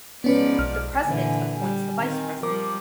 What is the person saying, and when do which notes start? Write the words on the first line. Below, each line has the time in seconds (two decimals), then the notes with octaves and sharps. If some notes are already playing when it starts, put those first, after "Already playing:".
The president appoints the Vice President.
0.24 G#2 F3 B3 C#4 B4 D5
0.59 B1 F6
1.03 A#2 D3 E3 G#5
1.59 G3
1.98 D#3 C4
2.43 F3 G3 A#4 D6